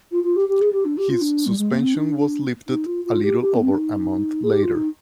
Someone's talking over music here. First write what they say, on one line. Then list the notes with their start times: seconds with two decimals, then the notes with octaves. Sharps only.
His suspension was lifted a little over a month later.
0.11 F4
0.23 F4
0.36 G4
0.48 G4
0.60 G#4
0.72 G4
0.84 D4
0.97 G4
1.09 F4
1.21 D4
1.46 G3
1.58 G#3
1.70 A#3
1.82 C4
1.94 D4
2.67 D#4
2.85 F4
3.04 F4
3.22 G4
3.40 G4
3.55 A#3
3.62 C4
3.70 D4
3.77 D#4
4.43 G#4
4.50 G4
4.62 F4
4.75 D#4